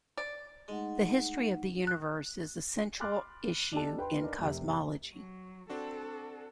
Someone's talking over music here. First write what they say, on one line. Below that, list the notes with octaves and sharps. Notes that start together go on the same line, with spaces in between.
The history of the universe is a central issue in cosmology.
D5
G#3 A3 D#4 F#5
F#6
B5 C6 D6 F6 F#6 A6
D4 D#4 G4 A4 A5
B4 G5 B5 C6
D4 D#4 A#4
F1 C3
F#3
C4 D4 F#4 A4